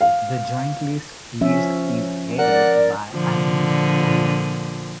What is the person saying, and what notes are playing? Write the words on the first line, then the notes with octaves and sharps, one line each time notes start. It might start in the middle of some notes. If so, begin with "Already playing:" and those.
The Joint List list is headed by Ayman Odeh.
F5
F3 C#4 E5
A#4 D5 F#5
A#2 D3 F3